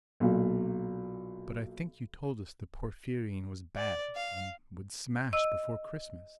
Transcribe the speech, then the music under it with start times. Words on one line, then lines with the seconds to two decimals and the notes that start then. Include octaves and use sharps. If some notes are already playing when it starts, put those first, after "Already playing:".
"But I think you told us the Porphyrion was bad, and would smash before Christmas."
0.20 B1 A#2 F#3
3.76 D5
4.15 F5
5.33 D#5 E6